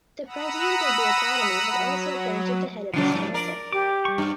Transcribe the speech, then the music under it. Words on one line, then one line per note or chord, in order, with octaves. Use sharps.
The President of the Academy was also appointed the head of this council.
F#5 A#5 B5 D#6 E6
F#3
A#2 C#3 F3 F#3 D4
G#2 F#3
A#4 D5
G4 D6
G3 C#6
G2